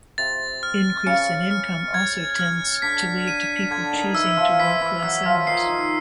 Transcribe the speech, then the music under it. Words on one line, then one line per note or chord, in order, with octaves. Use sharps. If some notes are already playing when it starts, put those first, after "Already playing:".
Increase in income also tends to lead to people choosing to work less hours.
C3 C4 A6
F6
C#3 C#4 C#7
F6
G#6
F6
D3 D4 B6
D#7
D3 D4 G#6
D#3 D#4
E3 E4 E6
F3 F4
E3 E4 B6
E3 E4
F#3 F#4 E6
F3 F4
D#3 D#4 C7
D#3 D#4